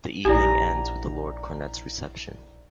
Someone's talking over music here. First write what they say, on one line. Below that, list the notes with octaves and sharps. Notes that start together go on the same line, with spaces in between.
The evening ends with the Lord Cornet's Reception.
A#1 D#4 E4 G4 D5 G#5 A#5